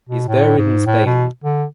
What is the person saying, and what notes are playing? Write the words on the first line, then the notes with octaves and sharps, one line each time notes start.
He is buried in Spain.
B2
A2
G#2
A2
B2
D3